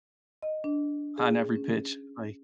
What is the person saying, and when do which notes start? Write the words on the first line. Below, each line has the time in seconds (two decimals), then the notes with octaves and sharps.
on every pitch, like,
0.42 D#5
0.64 D4
1.18 G#4
1.56 C#4